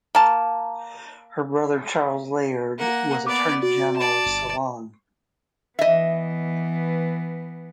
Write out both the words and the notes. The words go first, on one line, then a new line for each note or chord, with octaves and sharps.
Her brother Charles Layard was Attorney General of Ceylon.
A#3 A5
A#3 F#5
B3 D5 D6
F#4 D5
D5 A5
G1
E3 B3 D#5 E5